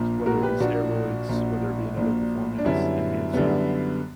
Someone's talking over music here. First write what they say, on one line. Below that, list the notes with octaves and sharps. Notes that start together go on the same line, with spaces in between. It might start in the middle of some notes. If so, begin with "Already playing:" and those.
s whether it be steroids, whether it be another performance enhancer
Already playing: A#1 A#2 A#3
F#4 A#4
G4 B4
A#1 A#2 A#3 D4 F#4
A#1 A#2 A#3
A#1 A#2 A#3
D4
F#2 D3 G3 B3 C#4 E4
F#2 D3 G3 B3